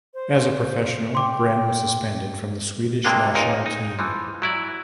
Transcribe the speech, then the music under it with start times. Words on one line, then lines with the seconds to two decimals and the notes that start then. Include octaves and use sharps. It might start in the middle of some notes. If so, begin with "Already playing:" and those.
As a professional, Gren was suspended from the Swedish national team.
0.14 C5
1.15 G5 C6 D6
3.04 G2 C3 G#3 A#3 D4
3.34 C#2 A#2 D#4 A#4
3.66 D#4
3.99 E3 F3
4.42 F#3 E4 D5